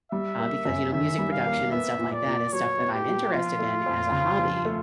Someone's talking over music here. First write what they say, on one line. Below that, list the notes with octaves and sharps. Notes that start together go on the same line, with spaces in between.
uh, because, you know, music production and stuff like that is stuff that I'm interested in as a hobby,
G3 E5
A#3
F#2
D#3 E5
G3
F5
A#3
B3 E5
A#2
D5
A#2
F#3 C#5
B3
G4
A#2
F3 F4
A3
F2
C#3
F3
A3